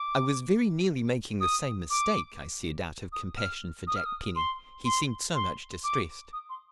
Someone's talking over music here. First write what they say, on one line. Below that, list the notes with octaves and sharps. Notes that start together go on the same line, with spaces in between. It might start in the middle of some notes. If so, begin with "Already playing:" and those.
"I was very nearly making the same mistake," I said, out of compassion for Jack Penny--he seemed so much distressed.
Already playing: D6
D#6
D6
D#6
F6
D#6
F6
D#6
C6
C6
C6
D6
D#6
C6